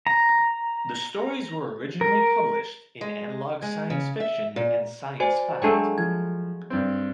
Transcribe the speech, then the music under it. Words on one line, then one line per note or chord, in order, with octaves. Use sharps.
The stories were originally published in "Analog Science Fiction and Science Fact".
A#5
A#4
G#3
G#3
C#3
E5
A#2
F#4 C5 D5 G#5
F#3 G#3 A3 D4 G5
F3 G#6
G2 C4